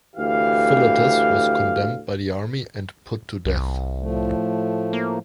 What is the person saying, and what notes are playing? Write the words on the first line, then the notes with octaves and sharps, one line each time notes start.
Philotas was condemned by the army and put to death.
D2 E3 G4 F5
C2
A2 F3 A3
A#3